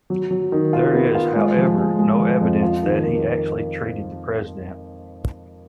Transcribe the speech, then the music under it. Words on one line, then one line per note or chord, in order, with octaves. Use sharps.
There is, however, no evidence that he actually treated the President.
F#3
F#3
D#3
F4
B3
F4
G#3
F3
G#3
G#3
F3
F2
F4
D#3
A#3